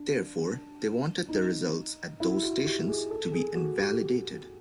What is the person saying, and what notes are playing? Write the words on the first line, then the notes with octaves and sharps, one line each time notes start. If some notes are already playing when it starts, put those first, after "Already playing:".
Therefore, they wanted the results at those stations to be invalidated.
Already playing: D4
D#4
E4
F#4
G4
G#4
A4
G#4
F#4
G4